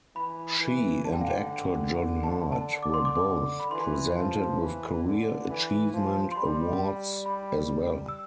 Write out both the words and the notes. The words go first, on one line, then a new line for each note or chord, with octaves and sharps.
She and actor John Hurt were both presented with Career Achievement Awards as well.
E3 B5
E3
D3 A5
G5
F5
G5
A5
A5
D6
C6
D6
B5
E3 C6
F3
E3
D3
E3
F3
C6
G3 B5
B5
E6